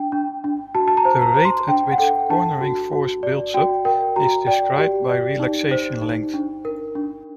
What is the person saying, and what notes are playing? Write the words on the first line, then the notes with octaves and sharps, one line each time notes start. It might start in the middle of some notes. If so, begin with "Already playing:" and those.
The rate at which cornering force builds up is described by relaxation length.
Already playing: D4 G5
D4
D4
F#4 A5
A5
A#5
C5
A#5
C5 A#5
C6
D4 G5
F#5
A4 G5
D4 A5
F#4
F#4
D5
F#4 G5
A#4 G5
F#4 A#5
D5 G5
G4
D5
D#4
C5
D#4
D4
A#4
D4